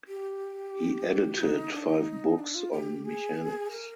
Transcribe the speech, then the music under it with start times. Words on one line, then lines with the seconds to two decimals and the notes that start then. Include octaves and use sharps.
He edited five books on Mechanics.
0.08 G4
1.40 D#4
1.73 D4
1.89 D#4
2.39 D4
2.55 F4
2.72 G4
3.05 G#4
3.71 A#4